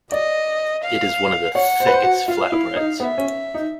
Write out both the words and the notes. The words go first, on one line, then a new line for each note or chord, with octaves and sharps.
It is one of the thickest flat breads.
D5 D#5
F5
C#5 F#5
C5
B4
C5
F#4
F4 F5
E4
D#4
B3 E5
C#4
D#4